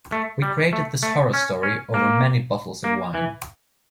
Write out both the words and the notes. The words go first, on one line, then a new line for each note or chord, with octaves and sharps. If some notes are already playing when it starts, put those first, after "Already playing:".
We created this horror story over many bottles of wine.
A3
G3
A3
A3
C#4
C#4
A#3
A#3
E3